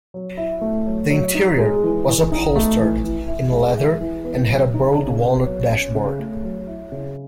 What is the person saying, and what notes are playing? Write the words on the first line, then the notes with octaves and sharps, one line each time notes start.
The interior was upholstered in leather and had a burled walnut dashboard.
F#3
E4
A3
F#3
F#3
D#4
G#3
E3
E3
D#4
A3
E3
E3
E4
G#3
E4
E3
B3
F#3
D#4
C#3
B3
F#3
C#4
C#3
A3
F#3
E4
C#3